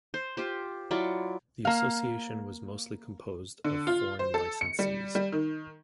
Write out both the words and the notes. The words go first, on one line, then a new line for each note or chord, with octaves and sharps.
The association was mostly composed of foreign licensees.
C5
F4 G4 C5
F#3 E4 F4 D5
A#3 F5
D3
F4
C5
A4
C#7
G3
G3
D#3